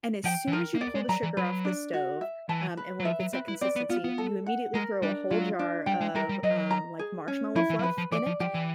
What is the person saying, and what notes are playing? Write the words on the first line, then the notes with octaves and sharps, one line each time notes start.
and as soon as you pull the sugar off the stove, um, and when it gets that consistency, you immediately throw a whole jar of, um, like, marshmallow fluff in it,
F3 G5
E3
F3 A#4
A#3
B3 D5
G#3
F#3 A#5
E3
F#3 B4
D4
F#4
E5
E3 A5
B4
F#3
F3 E5
F#3
C4 B4
E4
C4 D5
B3
B3 F4
B3
A4
F#5
G#3 A#4
G3 D4
F#3 F4
D4
G3 G5
G#3
G3 A#4
G3
F#3 D#5
A#5
G#4
C#4
F3 E4
E3
F#3
F3 B4
F3
E3 D5
F3
F3 G4
E3